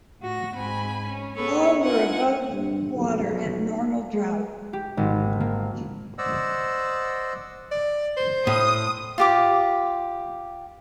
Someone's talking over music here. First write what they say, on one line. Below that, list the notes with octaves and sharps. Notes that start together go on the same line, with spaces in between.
All were above water at normal draught.
A2 F#4 A#6
G#2 G#3 C4 G#5 B5
C#4
B3 C#4 G#4 A4 B4 C#5
D4 D#4 F4 A#4 F#5 G#5
G2
B1
G#3
G4
G#1
A#3
C5 D5 D#5 F#5 E6
D5
C5
A2 D#6
F4 G4 D6